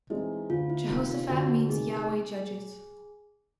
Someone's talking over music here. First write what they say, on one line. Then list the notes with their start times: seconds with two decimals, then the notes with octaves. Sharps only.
Jehoshaphat means Yahweh judges.
0.10 E3 G#3 C4 D#4 E4
0.50 D2 F4
0.70 E4
0.89 C3 D#3 F4
1.10 F4
1.29 D2 F#4
1.69 C3 D#3 G#4